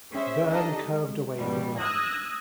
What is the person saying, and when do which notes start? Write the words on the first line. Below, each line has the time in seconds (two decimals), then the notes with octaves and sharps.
Verne curved away from land.
0.13 C#4 G#4 C5 E5
0.49 D4 D#4 G4 A4 D#5
0.84 G#3
1.37 C#2 G#2 B2 F3 G3
1.79 D#6 E6 F#6 G#6 A#6